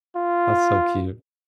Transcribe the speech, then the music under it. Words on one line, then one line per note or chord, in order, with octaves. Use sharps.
That's so cute.
F4